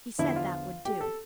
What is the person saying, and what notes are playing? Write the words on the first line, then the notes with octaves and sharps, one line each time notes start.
He said that would do.
E2 D3 F3 E4
F4
G4
A4